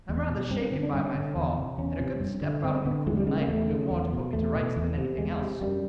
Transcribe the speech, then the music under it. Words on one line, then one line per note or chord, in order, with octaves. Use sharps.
I am rather shaken by my fall, and a good step out in the cool night will do more to put me to rights than anything else.
E2
B2
G2 C4
C4
D3 C4
D4
G2 C#4
D3
E2
C3
E2 C#4
C3
G2
D3
G2 C4
C4
D3 B3
E2 G#3
G3
C#3 G#3
B3
A#3
E2 A3
C#3
E2
B2
E2 A3
B2
E2
C3
E2 G#3
C3
F#2 G3